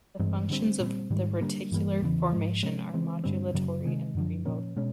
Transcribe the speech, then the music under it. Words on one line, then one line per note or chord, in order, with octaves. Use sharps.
The functions of the reticular formation are modulatory and premotor.
G2 E3 G#3 C4
D3 G3 C4
A#2 G3 C4
G#2 D#3 G3
D3 G3 A#3
G2 E3 G3 A#3
E2 C#3 E3
G#2 F3 G#3
C3 F3 G#3 C#4
C#3 E3 G#3 C4
G2 D3 G3 C4
F#2 C#3 F#3
C3 D#3 G#3
F#2 D3 F3
A#2 F3 A#3 C#4
B2 G#3 C#4